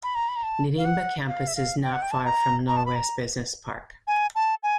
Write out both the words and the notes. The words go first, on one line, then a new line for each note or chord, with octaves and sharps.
Nirimba campus is not far from Norwest Business Park.
B5
A#5
B5
A#5
A5
F5
F#5
F5
E5
F5
G5
F#5
G5
A5
A#5
A#5
A5
B5
A#5
G#5
A5
G#5